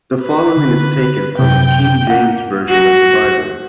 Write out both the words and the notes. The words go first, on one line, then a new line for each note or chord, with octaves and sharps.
The following is taken from the King James Version of the Bible.
B4
D3
F#2 C3 G5
A#3 F#5
F#4